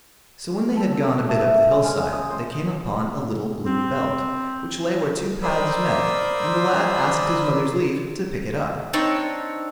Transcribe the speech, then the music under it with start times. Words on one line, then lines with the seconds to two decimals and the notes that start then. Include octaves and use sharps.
So when they had gone a bit up the hill-side, they came upon a little blue belt, which lay where two paths met, and the lad asked his mother's leave to pick it up.
0.77 A4
0.93 E6
1.28 A3
1.71 G#3
1.84 C#4
2.13 D#6
2.30 C5
3.66 C4
5.43 A#4 C5 D5 B5 D#6 E6
8.93 C4 D4 D#4 C#5